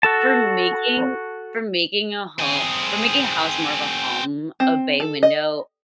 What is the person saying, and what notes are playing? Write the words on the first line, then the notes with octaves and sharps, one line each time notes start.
for making for making a ho for making a house more of a home, a bay window
F#4 A4 A5
C4 G#4
C4
A4
D#5